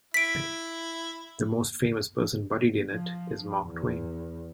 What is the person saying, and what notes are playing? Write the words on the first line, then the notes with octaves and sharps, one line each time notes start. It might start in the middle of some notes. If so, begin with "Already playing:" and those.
The most famous person buried in it is Mark Twain.
E4 B6 D7
F3
E2